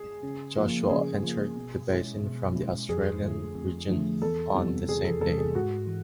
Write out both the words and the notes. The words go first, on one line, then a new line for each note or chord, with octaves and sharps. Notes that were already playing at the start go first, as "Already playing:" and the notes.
Joshua entered the basin from the Australian Region on the same day.
Already playing: G#4
C#3
F3 A#3
C#3 G#4
F3 A#3
B2
G#3 C#4 E4
B2
G#3 C#4 E4
F2 G#4
D3 F3 A3
F2
D3 F3 A3
E2 A4
C3 E3 G3 B3
E2 G#4
A4
C3 E3 G3 B3 A4
G#4
G#2 F#4
E3